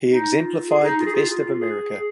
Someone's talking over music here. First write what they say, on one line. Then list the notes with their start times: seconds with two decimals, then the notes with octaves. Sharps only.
He exemplified the best of America.
0.09 D#4
0.39 F4
0.69 G#4
0.84 D#4
0.99 F4
1.06 G#4
1.14 F4
1.30 F4
1.60 G#4
1.90 G#4